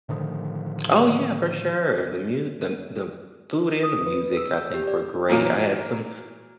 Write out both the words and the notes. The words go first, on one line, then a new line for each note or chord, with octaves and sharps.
Oh, yeah, for sure, the musi the the food and the music, I think, were great, I had some
A2 D3 D#3 F3
D#6
B4
E6
G6
G4
D5
A#2 E3 F#3 A#3